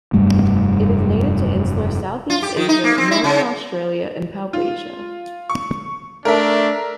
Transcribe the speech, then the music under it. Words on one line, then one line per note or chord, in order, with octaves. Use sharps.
It is native to insular Southeast Asia, northern Australia and Papuasia.
F1 G2 G3 A3
F4
G4
D#3
D#4
A#3
C4
E4
C#3
F4
C#6
A3 D4 A#4 E5